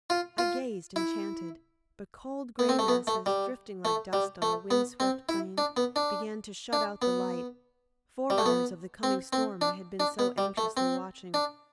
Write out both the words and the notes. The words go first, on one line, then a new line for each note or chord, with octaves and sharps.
I gazed enchanted, but cold gray masses, drifting like dust on a wind-swept plain, began to shut out the light, forerunners of the coming storm I had been so anxiously watching.
F4
F4
E4
B3
C4
A3
B3
A3
G3
A3
G3
A3
B3
C4
E4
D4
B3
D4
D4
B3
G3
A3
B3
C4
C4
D4
D4
B3
G3
A3
C4
D4